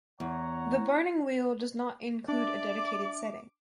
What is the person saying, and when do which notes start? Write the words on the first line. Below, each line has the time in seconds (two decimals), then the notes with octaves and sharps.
"The Burning Wheel" does not include a dedicated setting.
0.20 E2 C#5 F#5 A#5
2.28 D4 D5 E5 D6